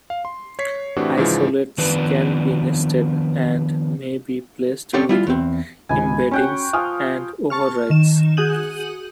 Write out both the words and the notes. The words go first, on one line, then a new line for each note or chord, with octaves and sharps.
Isolates can be nested, and may be placed within embeddings and overrides.
F5
C6
C#5 B6 C7
A2 E3 C4 D4 F#4 G4
G#2 C#3 E3 F3
D#3 F3 B3 D4 B4
C4 C#4 G4 A4 D5
G3 E4 F4
E2 C4
G#1 C#2 G#5 B5
C#4 F#4 F#5 G5 C#6
F3 G#5 D#6 F6
A5 C#6 F6
D#3 E7
F#4 G#4 D#6 G6 D#7 F#7